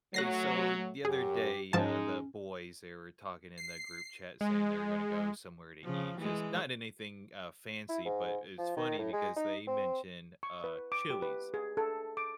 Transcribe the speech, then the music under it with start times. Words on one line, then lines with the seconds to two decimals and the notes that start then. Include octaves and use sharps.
Hey, so the other day, uh, the boys, they were talking in the group chat saying they were gonna go somewhere to eat, just not anything, uh, fancy, but it's funny because they mention, uh, Chili's.
0.14 F#3 A3 F#6 A#6 C7
1.05 F#2 G4 G#4
1.73 G#2 F3 G#3 C#4 D#4 A5
3.58 C7
4.41 G#3
5.83 C#3 F3
6.18 E3 G#3
7.89 E4
8.05 G#2
8.58 F3
8.77 D#3
8.99 A2
9.13 G#3
9.36 D#4
9.67 C4
10.43 C#6
10.64 B4
10.92 D6
11.10 G4
11.22 B4
11.54 G#4
11.77 A4
12.17 D6